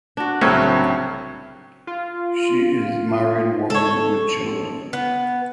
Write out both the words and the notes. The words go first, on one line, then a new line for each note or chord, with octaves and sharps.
She is married woman with children.
D4 F#4
C2 A2 C#3 F#3 C4 C#4 E4
F4
A4 C#5
B3